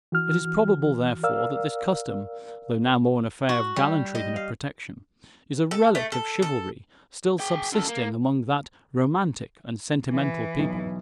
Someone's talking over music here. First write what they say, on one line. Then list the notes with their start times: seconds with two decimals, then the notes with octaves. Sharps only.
It is probable, therefore, that this custom, though now more an affair of gallantry than of protection, is a relic of chivalry still subsisting among that romantic and sentimental people.
0.12 E3 F#4 F6
1.23 A#4 D5 F5 E6
3.49 F#4
3.76 G3
4.15 D#5
4.36 F5
5.71 A4
5.95 A3
6.12 A4
6.42 A4
7.40 G#4 G5
7.72 F#2 A4
7.88 A#3
10.10 E3
10.59 B1